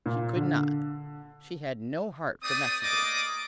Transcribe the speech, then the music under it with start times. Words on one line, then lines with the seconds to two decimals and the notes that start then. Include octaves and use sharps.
She could not; she had no heart for messages.
0.06 A#2
0.36 D3
2.43 A3 C4 D5 D#6
2.83 A3 A#3 D5 D#5 D6 D#6